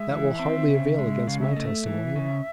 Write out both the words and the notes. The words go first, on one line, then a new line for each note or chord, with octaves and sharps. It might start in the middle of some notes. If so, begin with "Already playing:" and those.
"That will hardly avail against my testimony."
Already playing: G#3 E5
E3
C4
C#3
G#3
C#3 F5
E5
A3 D#5
E5
E3
C#3